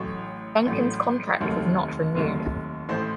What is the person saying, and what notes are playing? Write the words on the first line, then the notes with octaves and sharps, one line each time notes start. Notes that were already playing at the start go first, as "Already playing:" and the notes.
Dunkin's contract was not renewed.
Already playing: A1 A2 F#3 C#5 C#6
A1 A2 F#3
F1 D#2 D#3 F#3 A3
F1 D#2 D#3 F#3 A3
A1 A2 A3 C5 C6